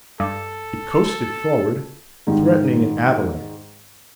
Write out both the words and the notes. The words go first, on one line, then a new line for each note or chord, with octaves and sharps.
It coasted forward, threatening an avalanche.
G2 A4
G#2 D#3 G3